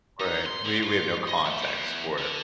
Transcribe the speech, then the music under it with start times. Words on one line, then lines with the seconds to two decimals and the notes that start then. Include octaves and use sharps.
Right, we we have no context for it.
0.20 D#4
0.46 C6
0.64 D3
0.83 F4
1.28 D#5
1.46 A3
1.62 G3
1.77 E2
2.18 D3